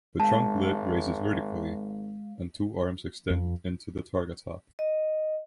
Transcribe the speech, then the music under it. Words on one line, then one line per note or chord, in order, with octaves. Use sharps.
The trunk lid raises vertically and two arms extend into the targa top.
G#1 G#3 F5 A5
F2
D#5